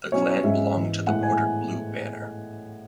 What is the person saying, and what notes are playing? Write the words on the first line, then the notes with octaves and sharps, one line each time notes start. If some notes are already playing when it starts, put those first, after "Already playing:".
The clan belonged to the Bordered Blue Banner.
B2 F#3 C#4 E4 C#5
G#2 G#3 C#4 E5
G#2 E3 B3
A2 G#3 B3 E4 F#5
G#5